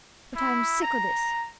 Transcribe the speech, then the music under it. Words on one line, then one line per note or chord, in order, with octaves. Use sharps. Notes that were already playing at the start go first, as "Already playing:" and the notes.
But I'm sick o' this!
E4
A#5